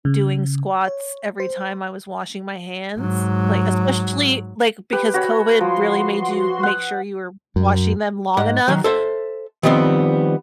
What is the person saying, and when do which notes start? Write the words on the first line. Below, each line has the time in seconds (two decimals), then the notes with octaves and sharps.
doing squats every time I was washing my hands like, especially, like because COVID really made you make sure you were washing them long enough.
0.05 C#3
0.88 C#5
1.40 C5
2.98 G#2 F#3
4.92 G4 B4
5.14 F#4 C#5 B5
5.61 F3 F#4 C6
6.63 F#5 D#6
7.56 F#2
8.37 G#2 F#5
8.68 D#3 F#3
8.84 A4 C5 E5
9.63 D#3 F3 G3 B3 C4